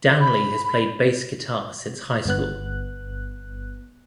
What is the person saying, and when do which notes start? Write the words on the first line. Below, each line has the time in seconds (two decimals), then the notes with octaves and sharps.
Danley has played bass guitar since high school.
0.21 B5
2.26 G1 G2 B3 F#6